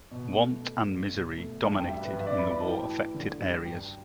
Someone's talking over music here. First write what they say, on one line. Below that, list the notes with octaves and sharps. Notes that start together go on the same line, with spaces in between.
Want and misery dominated in the war-affected areas.
B2
A3
A3
G2
B2
A3
G2 A5
G5
G3 E5
B4
G2 B4
E5
D5
G2 B5
B5
E3 A5
G5
A5
A2
D3
G3
G2 G5
A5
G5